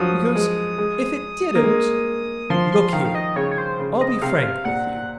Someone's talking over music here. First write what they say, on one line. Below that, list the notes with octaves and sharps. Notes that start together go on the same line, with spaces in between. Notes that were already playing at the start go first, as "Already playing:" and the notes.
Because if it didn't---- Look here, I'll be frank with you.
Already playing: F3 F#3 D#6
G#3
G#3
A#3
G#3
F3 C6
C6
D#3 F5
F5
D#5
C#3 C#5
C#5
C5
C#3
D#5
C3 F5
A#2 F#5